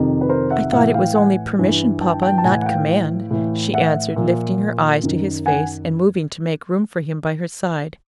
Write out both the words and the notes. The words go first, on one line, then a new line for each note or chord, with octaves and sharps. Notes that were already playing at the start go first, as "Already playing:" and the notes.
"I thought it was only permission, papa, not command," she answered, lifting her eyes to his face, and moving to make room for him by her side.
Already playing: F2 C3 D#3
B4
A#4 C5
E5 F#5
A2 E3 E5 F#5
F5 G5
F#5 G#5
G2 E3
G5 A5
G5 A5
A5
A2 E3 F#5 G#5
F#5
F5 G5
A2 E3
E5 F#5
A#2 F3
F#2 D#3
F#5 G#5